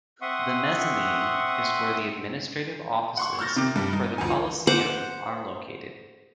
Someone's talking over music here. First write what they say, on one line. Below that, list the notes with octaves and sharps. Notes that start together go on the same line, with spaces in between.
The mezzanine is where the administrative offices for the coliseum are located.
C4 E5 F#5 C6 C#6 D#6
F#5 C6 C#6
C#6 E6 F6 G6 A6 A#6
C3 D#3 C4 D6
G2 G3
D#4
D2 F3 G#5
C5 F#5 D6